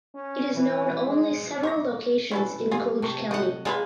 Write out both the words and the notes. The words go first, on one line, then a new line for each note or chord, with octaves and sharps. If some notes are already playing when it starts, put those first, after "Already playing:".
It is known only several locations in Cluj County.
C#4
E3
G#3
C#5 C#6 D6 A#6
C#4 D4 E4 A4 B4
G3 A3 A#3 F4 G#4
C3 A5 C#6
A3 D4 D#4 D#5 F#5
G#3 A#3 F4 G#4 B4 G#5